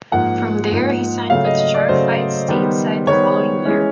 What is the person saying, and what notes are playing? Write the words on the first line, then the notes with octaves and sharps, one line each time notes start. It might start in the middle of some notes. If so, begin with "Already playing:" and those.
From there, he signed with Shark Fights stateside the following year.
G#2 F3 A#3 F#5
G#2 F3 A#3
C#3 F#3 A3 F5
D#5
D#5
D5
C#3 F#3 A3 C5
D#3 G3 B3
D#3 G3 B3 C#5
E3 G#3 C#4